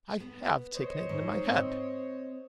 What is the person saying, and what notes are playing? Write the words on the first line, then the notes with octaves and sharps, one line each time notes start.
I HAVE taken it into my head.'
B3
C5 C#5 D#5
G#2
C4